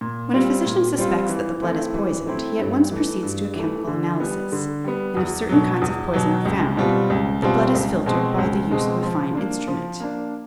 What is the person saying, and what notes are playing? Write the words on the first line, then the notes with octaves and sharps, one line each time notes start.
When a physician suspects that the blood is poisoned he at once proceeds to a chemical analysis, and if certain kinds of poison are found, the blood is filtered by the use of a fine instrument.
A#2
G3 C4 F4
A#2
G3 C4 F4
E3
A3 C4 E4
E3
A3 C4 E4
G2
E3 A3
G2
E3 A3
D3
G3 B3
D3
G3 B3
E2
B2 F#3
E2
B2 F#3
C#2
B2 G3 C4 F4
C#2
B2 G3 C4 F4
C#2
B2 G#3 C4
C#2
B2 G#3 C4
F3
A#3 D4
F3
A#3 D4